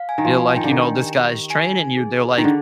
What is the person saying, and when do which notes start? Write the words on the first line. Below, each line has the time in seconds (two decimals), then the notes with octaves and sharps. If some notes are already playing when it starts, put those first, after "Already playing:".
they're like, "You know, this guy's training you." They're like,
Already playing: F5
0.09 G#5
0.18 D#3
0.25 F3
0.56 D#3 G5
0.64 D3
0.71 D#3
1.02 G4
1.50 G#5
1.97 G#4
2.38 D#3
2.44 D3 G#4